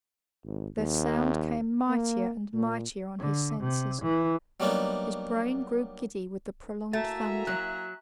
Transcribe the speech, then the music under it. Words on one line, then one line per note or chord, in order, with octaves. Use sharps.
Their sound came mightier and mightier on his senses; his brain grew giddy with the prolonged thunder.
G#1
D#2
A#3
A#2
D3
C3
E3
F#3 G3 A#3 B3 D4 D#4
A3 A#3 E4 F#4 E5 G#5 A#5 A6
F#3 F#6